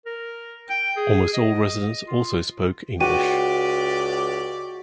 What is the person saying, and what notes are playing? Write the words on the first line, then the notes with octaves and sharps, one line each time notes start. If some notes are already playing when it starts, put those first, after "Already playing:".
Almost all residents also spoke English.
A#4
G5
G#4
D#5
F4
C#2 F#4 G4 D5 G5 D#7